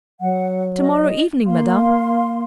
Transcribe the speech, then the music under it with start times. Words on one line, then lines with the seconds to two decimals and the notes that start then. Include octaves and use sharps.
"To-morrow evening, madam."
0.21 F#3 F#5
0.79 D#5
1.47 A#3 F5 C6